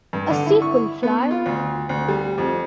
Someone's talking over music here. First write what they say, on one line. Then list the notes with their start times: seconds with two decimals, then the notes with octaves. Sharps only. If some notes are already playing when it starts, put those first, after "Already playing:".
A sequel, Fly!
0.13 G2
0.30 D3
0.46 E4
0.62 C#6
1.03 B3
1.31 F4
1.46 D2
1.89 D2
2.08 G3
2.38 F2